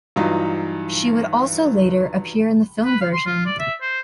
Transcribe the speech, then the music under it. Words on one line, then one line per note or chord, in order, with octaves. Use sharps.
She would also later appear in the film version.
G2 E3 F#3 D#4 F4
B4
F5
C6
F4
D5
E5
C5